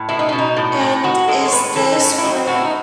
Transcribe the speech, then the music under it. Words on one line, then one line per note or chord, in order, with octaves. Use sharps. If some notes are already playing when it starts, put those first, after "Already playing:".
and is this what
Already playing: A2
B2 E4
D#4
B2 C#4
D#4
A2
A2
D#3 F#4
G#3 A4
C#5
A2 B4
E3 A4
D#4
A2 C#4
E4
F#3 D#4
A2 F#4
E4
D#4